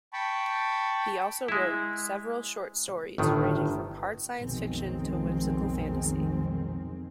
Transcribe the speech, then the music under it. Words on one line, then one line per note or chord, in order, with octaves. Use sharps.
He also wrote several short stories, ranging from hard science fiction to whimsical fantasy.
G5 A5 B5 C#6
G#3 E4
G1 A2 D#3
B1 F2 D#3 G#3 C4